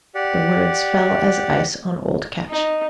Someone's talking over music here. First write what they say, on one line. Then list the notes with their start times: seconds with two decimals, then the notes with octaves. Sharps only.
The words fell as ice on old Ketch.
0.15 G4 D5 F#5
2.49 D#4